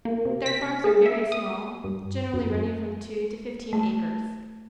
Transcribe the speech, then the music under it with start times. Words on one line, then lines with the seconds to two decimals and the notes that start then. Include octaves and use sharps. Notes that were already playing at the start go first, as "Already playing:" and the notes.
Their farms are very small, generally running from two to fifteen acres.
0.05 A#3
0.25 C3
0.46 B6
0.84 G#4
1.06 E5
1.32 D#6
1.84 G2
2.34 F#2
3.73 A3